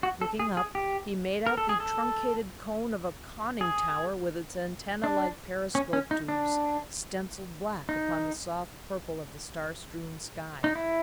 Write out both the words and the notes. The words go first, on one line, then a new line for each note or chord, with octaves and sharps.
Looking up, he made out the truncated cone of a conning tower with its antennae-like periscope tubes stencilled black upon the soft purple of the star-strewn sky.
F#4
A4
G#4
G#4
G4
A#4
A4
G#4
A4
G#4
D4
C#4
C#4
D#4
D4
D#4
D#4
E4